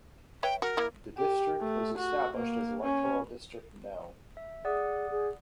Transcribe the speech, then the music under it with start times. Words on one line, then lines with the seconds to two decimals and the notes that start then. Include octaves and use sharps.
The district was established as electoral district no.
0.43 B4 C#5 E5 G5
0.62 F#4 A#4
0.77 A#3 E4
1.17 G4
1.61 A3
1.98 F#4
2.37 A#3
2.83 C#4
4.37 E5
4.65 G#4 D5 F#5 D#6
5.11 G#4